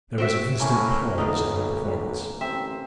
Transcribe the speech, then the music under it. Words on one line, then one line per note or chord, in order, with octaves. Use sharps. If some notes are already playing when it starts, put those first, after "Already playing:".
There was an instant pause in the performance.
C4 F#4 E5
A2 A#3 C#4
B1 A2 D3 D#4
A1 C4 E5